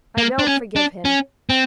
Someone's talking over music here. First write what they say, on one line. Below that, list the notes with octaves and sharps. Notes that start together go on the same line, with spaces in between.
I don't forgive him.
A#3
D4
C#4
D4
C#4
C4